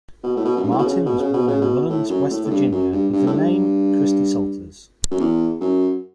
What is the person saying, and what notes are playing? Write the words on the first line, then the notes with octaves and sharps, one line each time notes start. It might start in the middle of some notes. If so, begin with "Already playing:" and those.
Martin was born in Mullens, West Virginia with the name Christy Salters.
B2
A2
B2
F#2
G2
A2
B2
C#3
B2
C#3
B2
C#3
B2
A2
F#2
A2
A2
G2
F#2
G2
G2
A2
G2
F#2
E2
F#2